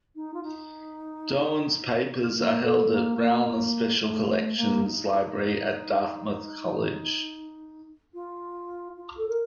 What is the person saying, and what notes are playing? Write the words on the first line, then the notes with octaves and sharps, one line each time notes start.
Doan's papers are held at Rauner Special Collections Library at Dartmouth College.
D#4
F4
D#4
A#3
A4
A#3
A#3
A3
A3
A#3
D#4
F4
F4
A4
A#4